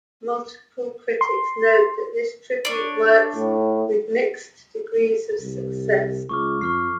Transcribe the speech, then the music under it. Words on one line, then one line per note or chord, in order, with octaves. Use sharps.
Multiple critics note that this tribute works with mixed degrees of success.
C6
D4 C#5
A2
C2
C#2 C#6 D6 F6
F2 C#6 F6 C7